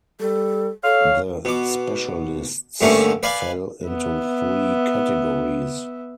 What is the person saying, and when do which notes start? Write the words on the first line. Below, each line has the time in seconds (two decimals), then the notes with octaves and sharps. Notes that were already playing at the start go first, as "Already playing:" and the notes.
The specialists fell into three categories.
0.20 G3 A4
0.84 A4 C#5 F5
1.45 B2 D6
2.81 D2 G2 D3 A3 A#3 C#4
3.23 B4 D5 F5 G#5
3.86 B3 E5